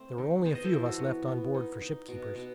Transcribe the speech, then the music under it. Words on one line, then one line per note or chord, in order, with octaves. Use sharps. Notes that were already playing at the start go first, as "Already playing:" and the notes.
There were only a few of us left on board for ship-keepers.
Already playing: A3 C4
D#3
B3 C5
D#5
A4 C5
E3
F#4
B3
B3
D#4
D#4
B2
B2